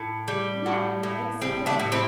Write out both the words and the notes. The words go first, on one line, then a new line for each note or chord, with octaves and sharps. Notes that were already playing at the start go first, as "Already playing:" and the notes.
Let me explain.
Already playing: A2
G3
A2
A2
G3 C4
A3 D4
A2
C4 E4